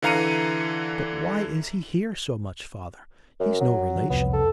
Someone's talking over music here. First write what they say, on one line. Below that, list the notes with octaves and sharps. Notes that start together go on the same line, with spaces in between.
But why is he here so much, father, he's no relation.'
D3 E3 F5 A#5 C#7 D#7
F#2
F#3
F3
C2 F2 B3
A4